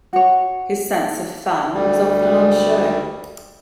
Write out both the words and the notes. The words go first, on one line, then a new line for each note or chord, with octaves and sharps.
His sense of fun was often on show.
F#4 C#5
D2 G3